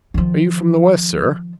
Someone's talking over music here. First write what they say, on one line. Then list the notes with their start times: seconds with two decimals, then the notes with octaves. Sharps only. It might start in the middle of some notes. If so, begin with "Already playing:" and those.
Are you from the west, sir?
0.14 D#3 F3